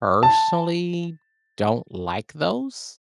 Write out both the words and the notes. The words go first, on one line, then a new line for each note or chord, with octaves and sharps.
personally don't like those.
A5